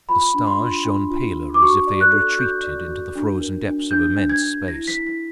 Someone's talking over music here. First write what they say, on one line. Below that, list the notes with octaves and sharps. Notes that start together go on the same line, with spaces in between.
The stars shone paler as if they had retreated into the frozen depths of immense space.
F4 B5
D4
C6
F4
D4
F4
D4
D6
F#4 C#6
D5
F#6
A4
F#4 G6
D5
F#4
D4
A#4
D4
D4 G6
D4
G#6
D4
E4 A#6
B6
E4
B6